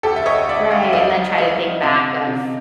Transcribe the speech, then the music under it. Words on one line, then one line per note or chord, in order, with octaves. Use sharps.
Right, and then try to think back of,
D2 G4 A4
E5
C#5 D#5
D2 D5 E5
D#5 F5
E5
D2 D#5 F5
G3 D#5 F5
C3 D#5 F5
C3